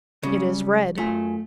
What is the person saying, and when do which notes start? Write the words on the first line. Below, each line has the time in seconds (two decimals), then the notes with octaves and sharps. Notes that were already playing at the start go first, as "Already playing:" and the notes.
It is red.
0.23 C#2 C#3 G3
0.98 F#2 A3 F4 G#5